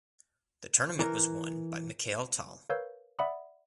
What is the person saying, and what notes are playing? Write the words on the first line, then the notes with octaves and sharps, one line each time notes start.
The tournament was won by Mikhail Tal.
E3 A#4
A#4 B4 C#5 F5 E6 G6
D5 E5 F#5 B5 D#6